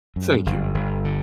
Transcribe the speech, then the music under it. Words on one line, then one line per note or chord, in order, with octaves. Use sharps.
Thank you,
F#2
G1
G1
D3